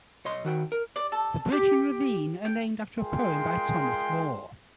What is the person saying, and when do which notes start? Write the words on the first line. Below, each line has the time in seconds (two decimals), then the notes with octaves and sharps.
The bridge and ravine are named after a poem by Thomas Moore.
0.25 B1 C#5 D#5 C6
0.45 D#3 F#4 G5
0.72 A#4
0.96 D5
1.12 A4
1.52 G4
2.45 G5
2.99 G#3 F4 G#4 A#4 G5 C6